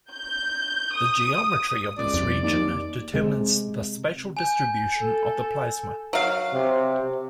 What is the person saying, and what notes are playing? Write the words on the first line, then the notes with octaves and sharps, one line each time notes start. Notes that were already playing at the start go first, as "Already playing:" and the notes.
The geometry of this region determines the spatial distribution of the plasma.
G6
D#6
C#2 D5
C2 F2
D#2 D5
C3 G#3
G#5 G6
A4
F#3 F5
C3